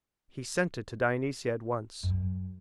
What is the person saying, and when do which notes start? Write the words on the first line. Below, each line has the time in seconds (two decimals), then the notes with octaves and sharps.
He sent it to Dionysia at once.
2.03 F#2